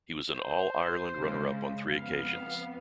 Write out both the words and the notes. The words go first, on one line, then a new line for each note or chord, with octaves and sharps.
He was an All-Ireland runner-up on three occasions.
C5
C#3 G#3
F2 B3 F5